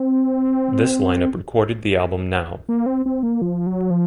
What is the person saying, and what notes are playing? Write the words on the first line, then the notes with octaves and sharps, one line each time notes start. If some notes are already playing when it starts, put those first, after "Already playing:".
This lineup recorded the album "Now".
Already playing: C4
A#3
C4
C4
A#3
F3
F#3
F3